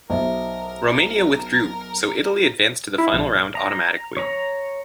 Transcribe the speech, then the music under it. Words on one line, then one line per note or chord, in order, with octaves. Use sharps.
Romania withdrew, so Italy advanced to the Final Round automatically.
B1 A#4 C5 D#5 E5
E4
A#1
A#5
C#5 A#5